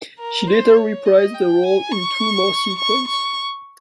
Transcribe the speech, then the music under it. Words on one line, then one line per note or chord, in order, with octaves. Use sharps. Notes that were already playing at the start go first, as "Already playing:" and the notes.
She later reprised the role in two more sequels.
A#4
C5
C#5
D#5
G5
G#5
C#6
C#6
C#6